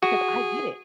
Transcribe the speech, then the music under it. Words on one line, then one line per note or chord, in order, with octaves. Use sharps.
'cause I get it.
F#4 G#4